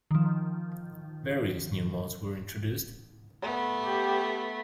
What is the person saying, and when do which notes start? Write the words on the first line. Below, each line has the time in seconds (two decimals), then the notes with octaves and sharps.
Various new modes were introduced.
0.11 D#3 F3
3.42 A3 B3
3.79 G4